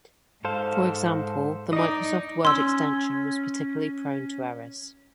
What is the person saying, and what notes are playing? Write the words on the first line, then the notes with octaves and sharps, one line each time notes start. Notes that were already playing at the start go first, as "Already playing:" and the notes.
For example, the Microsoft Word extension was particularly prone to errors.
G#2 A4 C5 F5
D#4 D5 D#5
C#4 C6 E6